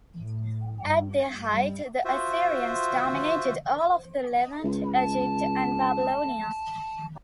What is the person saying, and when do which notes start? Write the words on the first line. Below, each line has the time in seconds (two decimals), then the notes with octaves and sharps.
At their height, the Assyrians dominated all of the Levant, Egypt, and Babylonia.
0.15 A2
0.77 G2
1.52 G3
2.05 F4 F#4 C5 E5
4.64 C#2
4.95 A5